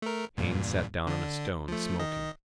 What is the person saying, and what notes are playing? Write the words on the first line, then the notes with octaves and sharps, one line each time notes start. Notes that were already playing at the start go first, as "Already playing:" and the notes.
Haines sat down on a stone, smoking.
A3 A#4
E2 G2 A#2
D3 D4
F3 A3
D#3 D#5